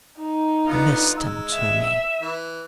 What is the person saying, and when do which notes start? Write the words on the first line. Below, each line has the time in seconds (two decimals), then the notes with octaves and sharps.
'Listen to me.
0.21 D#4
0.67 D3 B3 F4
1.17 G#3 E6
1.52 E5
2.22 E3